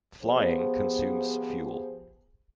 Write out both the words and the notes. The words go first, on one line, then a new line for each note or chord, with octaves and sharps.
Flying consumes fuel.
F3 B3 G4 G#4 C5